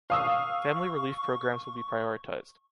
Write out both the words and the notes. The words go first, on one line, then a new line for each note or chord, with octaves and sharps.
Family relief programs will be prioritized.
F5 C#6 D#6 E6